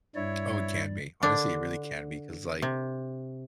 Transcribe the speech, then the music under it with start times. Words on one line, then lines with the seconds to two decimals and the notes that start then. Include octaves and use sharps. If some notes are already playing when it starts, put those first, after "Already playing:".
Oh, it can be. Honestly, it really can be 'cause, like,
0.16 G2 G3 E4 C#5 D5
1.23 D3 D4
2.62 C3